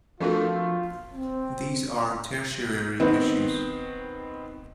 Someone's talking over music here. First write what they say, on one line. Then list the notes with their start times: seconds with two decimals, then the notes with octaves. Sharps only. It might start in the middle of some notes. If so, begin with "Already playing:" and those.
These are tertiary issues.
0.20 F3 A3 C4 D4 F4 F#4 A#4
1.14 C4
3.00 D#3 B3 C4